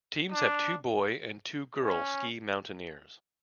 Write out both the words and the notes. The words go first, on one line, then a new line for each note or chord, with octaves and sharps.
Teams have two boy and two girl ski mountaineers.
D4
C#4